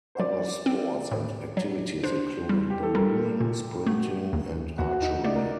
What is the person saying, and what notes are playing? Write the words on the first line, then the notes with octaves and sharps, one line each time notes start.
Other sports and activities included ballooning, sprinting and archery.
C5
F#3 D5
C4
A2
F#3
D4 C5
G3
G4
A4
G3 A#4
A#2
A3 F#4
D#2
D#2 F#4
F#4
D#4
A3 D5
A#4